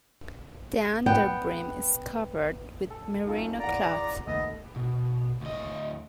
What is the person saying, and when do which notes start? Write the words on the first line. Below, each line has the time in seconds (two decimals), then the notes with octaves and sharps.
The underbrim is covered with merino cloth.
1.06 B3 G5
2.90 A4
3.26 F#2 D#4 F4 A4
3.59 E2 D5 F5 F#5 A#5
4.27 D#2 A3 B3 D#5
4.76 B2
5.41 D2 D#5